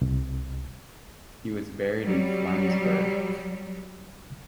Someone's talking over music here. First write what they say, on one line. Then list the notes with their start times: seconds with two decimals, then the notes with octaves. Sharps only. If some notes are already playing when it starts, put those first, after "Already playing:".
He was buried in Flensburg.
0.01 C2
2.03 F#3 G3